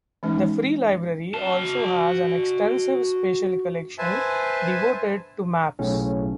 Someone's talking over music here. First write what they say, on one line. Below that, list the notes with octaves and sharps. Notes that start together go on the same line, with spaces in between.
The Free Library also has an extensive special collection devoted to maps.
E3 G#3 C#4 D#4
F#4 A5
B4 C5 E5 G#5 A5
B1 A2 C#3 C#4